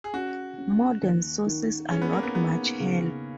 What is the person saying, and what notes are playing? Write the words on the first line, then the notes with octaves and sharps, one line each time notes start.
Modern sources are not much help.
G#4
C#4 F#4
C#4
D#2
D#3
G#3 C#4
B3
A#3
B3
G#3 B3
C#3